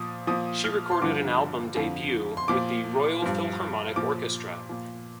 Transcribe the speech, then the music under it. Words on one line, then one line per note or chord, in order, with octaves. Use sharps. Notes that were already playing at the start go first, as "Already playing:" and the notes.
She recorded an album "Debut" with the Royal Philharmonic Orchestra.
Already playing: A#2 F3 D#6
A#2 F3 D#6
F6
C6
G2 D3 F3 D6
F2 D3 F3
C6
A#2 F3 D6
G2 F3
A#2 F3 D6
A#2 F3